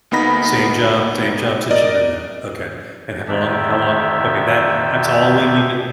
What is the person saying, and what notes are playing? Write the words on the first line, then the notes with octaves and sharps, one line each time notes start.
Same job same job since you've been there. Okay. And how long how long, okay. That that's all we need t
D2 A#3 B3 D#4 B5 A#6
A#4 D5 D#5
F2 D3 D#3 D4 G4 E5